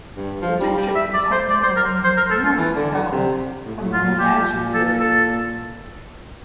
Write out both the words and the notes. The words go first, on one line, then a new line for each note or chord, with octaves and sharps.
The district contains the remains of Neolithic settlements from the Liangzhu period.
G2
F3
G3
G3
E5
D5
C5
D5
C5
A#4
C5
A#4
A4
F4
E3
D3
D3
C3
A2
A#2
A2
F4
A#2
A#2 G4
A#2
A4
A4